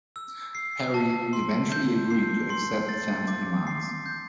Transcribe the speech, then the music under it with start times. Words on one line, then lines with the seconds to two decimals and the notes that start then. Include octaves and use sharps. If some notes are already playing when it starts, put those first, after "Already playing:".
Harry eventually agreed to accept Sam's demands.
0.16 E6
0.55 C7
0.94 A5
1.33 C6
1.72 G6
2.10 C7
2.50 C6
2.89 A6
3.28 D6
3.67 C7
4.06 G6